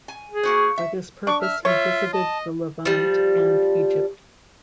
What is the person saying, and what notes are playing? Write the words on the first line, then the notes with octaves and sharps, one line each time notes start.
For this purpose he visited the Levant and Egypt.
G#5
G#4
A#3 F#4 C5
E5
D4 C#6 D6
E5 F6
F4 C#5 E5
D#5 A5
F3 G3